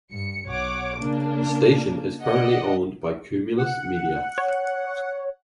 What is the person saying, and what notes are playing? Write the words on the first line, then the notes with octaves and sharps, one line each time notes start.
The station is currently owned by Cumulus Media.
G2 C#7
B1 C#5 F#5 D6
C#3 A#3 D4
D5 D#5 F#5
F#5
C#5